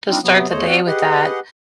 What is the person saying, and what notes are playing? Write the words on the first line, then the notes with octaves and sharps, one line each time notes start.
to start the day with that,
G3 C4 D4 D#4 F4
C3 F#3 B3
E2 A3 C5 C#5 D#5
C4 F#4 D5 F#5
G4 G#4 B4 D#5 F#5